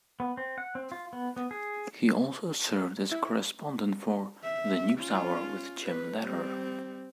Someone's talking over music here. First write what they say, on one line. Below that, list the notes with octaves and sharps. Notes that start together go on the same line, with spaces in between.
He also served as a correspondent for "The News Hour with Jim Lehrer".
B3
C4
F#5
C4
F4
B3
B3
G#4
E4
E5
C#4 F4
B4
G3 C4